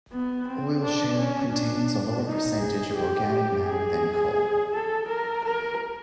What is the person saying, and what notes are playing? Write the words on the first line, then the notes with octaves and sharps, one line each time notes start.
Oil shale contains a lower percentage of organic matter than coal.
B3
C4
D4
C#4
D4
D#4
G#4
G4
G4
G#4
A4
A#4
A#4